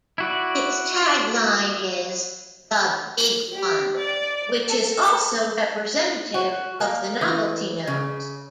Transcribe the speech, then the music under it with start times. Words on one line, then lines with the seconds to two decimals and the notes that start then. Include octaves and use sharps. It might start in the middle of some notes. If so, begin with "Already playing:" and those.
Its tagline is "The Big One" which is also representative of the novelty nose.
0.18 E4 F#4 D5
3.54 G4
3.97 D5
4.68 A4
6.34 F#4
6.80 A#3
7.21 E3
7.87 C#3